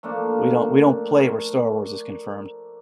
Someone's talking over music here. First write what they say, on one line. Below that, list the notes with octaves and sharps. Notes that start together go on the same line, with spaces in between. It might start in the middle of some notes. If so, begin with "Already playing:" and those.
we don't we don't play where Star Wars is confirmed.
F3 A3 A#3 D4